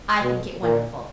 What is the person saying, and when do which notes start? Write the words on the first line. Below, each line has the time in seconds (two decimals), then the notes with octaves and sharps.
I think it wonderful.
0.22 B2
0.63 A#2